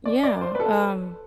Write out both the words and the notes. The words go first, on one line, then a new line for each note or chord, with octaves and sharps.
Yeah, um,
D5
D5
C5
B4
A4